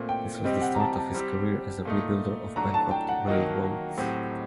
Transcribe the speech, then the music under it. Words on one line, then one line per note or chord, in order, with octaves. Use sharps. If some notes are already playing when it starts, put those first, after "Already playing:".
This was the start of his career as a rebuilder of bankrupt railroads.
Already playing: A#2 A3 C4
G5
C3 G3 C4 G4 D#5
F#5
A#5
A5
G5
A5
G3 C4 G4
A#2 A3 D#4
F#3 A3 D4 F#4 A#5
A5
G5
F#5
D#3 F#3 A#3 F#4 D#5
A2 F#3 C4 G4